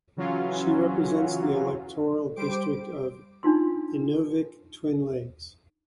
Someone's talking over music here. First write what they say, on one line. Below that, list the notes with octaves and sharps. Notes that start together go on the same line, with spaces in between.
She represents the electoral district of Inuvik Twin Lakes.
C#3 E3 F#3 C#4 F4
G3 G4 C5 D6 D7
D4 D#4 F4 C6